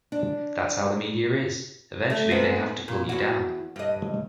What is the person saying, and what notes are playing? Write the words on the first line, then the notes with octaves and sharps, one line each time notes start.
That's how the media is: eventually they have to pull you down.
D4
A3
G#2 B3 C4
A#2
E2 F#4
G2 D#5